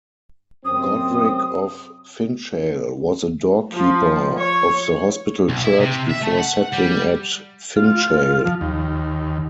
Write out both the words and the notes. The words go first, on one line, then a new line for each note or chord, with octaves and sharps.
Godric of Finchale was a doorkeeper of the hospital church before settling at Finchale.
F#2 C3 C4 D#6
F3
C#5
B1
E4
C3
E5
A3
F#5
G3
F4
F3
D#2